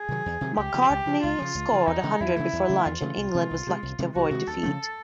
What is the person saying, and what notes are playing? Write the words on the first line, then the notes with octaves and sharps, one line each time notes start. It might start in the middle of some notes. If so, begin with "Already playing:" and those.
Macartney scored a hundred before lunch and England was lucky to avoid defeat.
Already playing: G#4
C3 D#3 F#3
E2
C3 D#3 F#3
C#2 G4
C#3 F3
C#2
C#3 F3
C#2 F4
C#3 F3
C#2
C#3 F3
E2 D#4
C#3 E3 A3
E2 E4
C#3 E3 A3
E2
C#3 E3 A3
E2 F4
C#3 E3 A3
C2
C3 D#3 G#3
C2
C3 D#3 G#3
C2
C3 D#3 G#3
C2 F#4
C3 D#3 G#3
D2 A4
C#3 F3 A3